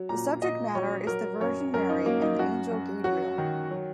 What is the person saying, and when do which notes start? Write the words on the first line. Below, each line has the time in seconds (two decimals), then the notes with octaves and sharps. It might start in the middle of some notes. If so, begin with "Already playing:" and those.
The subject matter is the Virgin Mary and angel Gabriel.
Already playing: F#3
0.09 A#2 A#5
0.42 A#2 D#5
0.74 F#3 C#5
1.07 F#3 A#4
1.40 F#2 C#5
1.74 F#2 A#4
1.89 D#4
2.06 F#3 A#3
2.22 D#4
2.39 F#2 F#4
2.72 F#2
3.04 F#3 F#4
3.38 D#3
3.71 F#3